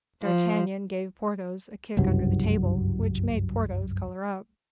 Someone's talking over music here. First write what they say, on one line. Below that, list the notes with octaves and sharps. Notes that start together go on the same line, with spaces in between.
D'Artagnan gave Porthos a kick under the table, which made Porthos color up.
F3
F#1 C2 G2 F#3